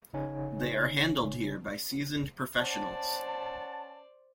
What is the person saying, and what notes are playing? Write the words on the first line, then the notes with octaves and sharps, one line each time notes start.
They are handled here by seasoned professionals.
G1 C#3 D#4 C#5 G#5
C#4 C5 D5 F#5 A5